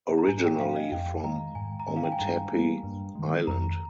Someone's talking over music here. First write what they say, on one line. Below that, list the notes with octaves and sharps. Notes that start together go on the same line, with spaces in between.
Originally from Ometepe Island.
A#5
G#2 G#5
G5
F3 G#3 C4 F5
D#5
F2 G5
D#3 G#3 A#5
G#2 G#5
A#5
D#3 G#3 C#4 G#5
F5
G5
G#5
G2 A#5
G3 A#3
G2
D#3 G#3
F2 A#5